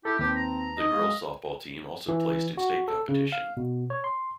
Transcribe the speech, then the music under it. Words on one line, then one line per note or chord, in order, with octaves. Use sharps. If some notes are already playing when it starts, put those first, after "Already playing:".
The girls' softball team also placed in state competition.
E4 G4 A4
D#2 C4 G4 B4 A5
A#5
D#4 D#5
G#3 F5
E3
F#4
A4
C#3
F5
B2
C#5
C6